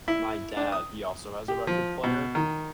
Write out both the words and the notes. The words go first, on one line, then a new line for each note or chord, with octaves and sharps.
my dad, he also has a record player,
E4
D4
D#6
G4
F3
B2
D#3